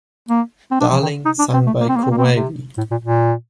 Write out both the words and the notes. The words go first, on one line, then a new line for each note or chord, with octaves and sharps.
Darling sung by Corabi.
A#3
C4
D4
F3
D#3
D#4
D4
C4
A3
A#3
C4
A#3
C4
A#3
C4
A#3
C3
A2
A#2
A#2